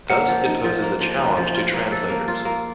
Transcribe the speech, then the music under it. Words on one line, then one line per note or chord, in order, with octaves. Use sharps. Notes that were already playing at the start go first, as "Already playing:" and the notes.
Thus, it poses a challenge to translators.
A#3 F#5
F3
D#4
F3
A#3
F3
D#4
F3
F4
A#3
A4
A#3
F4
A#3